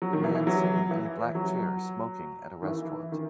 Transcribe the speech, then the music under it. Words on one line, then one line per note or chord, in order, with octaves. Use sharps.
Man sitting in a black chair smoking at a restaurant.
F#3
D#3
E3
E3
F#3
E3
F#3
D#3
E3
D#3